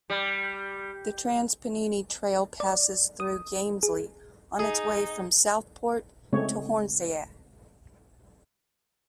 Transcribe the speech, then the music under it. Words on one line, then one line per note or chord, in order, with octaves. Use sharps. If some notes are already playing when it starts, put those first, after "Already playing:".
The Trans Pennine Trail passes through Gamesley on its way from Southport to Hornsea.
G3
D5
D#6
G#4
D#4 G#4
C#3 G#3 A3 C4 C#5